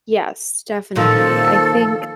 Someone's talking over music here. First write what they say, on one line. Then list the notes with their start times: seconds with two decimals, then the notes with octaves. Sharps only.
Yes, definitely. I think
0.96 A#2 D#3 F3 A4